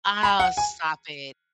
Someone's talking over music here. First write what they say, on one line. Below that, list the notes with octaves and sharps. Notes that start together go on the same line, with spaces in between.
Oh, stop it.
B5
F#5
G#5